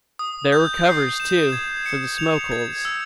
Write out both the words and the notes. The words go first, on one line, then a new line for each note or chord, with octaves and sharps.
There were covers, too, for the smoke-holes.
D#6
G6
C7
E7
G#6
C#7
F7
G#6
E6